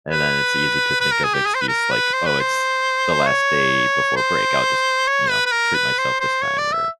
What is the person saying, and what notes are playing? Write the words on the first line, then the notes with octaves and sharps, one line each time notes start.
And then it's easy to think of excuse like, "Oh, it's the last day before break. I'll just, you know, treat myself this time," or,
B4
B4
A#4
G#4
G4
G#4
C5
B4
A#4
B4
C5
B4
C5
C#5
C5
C#5
B4
B4
A#4
B4
C5
C5
C#5
D5
E5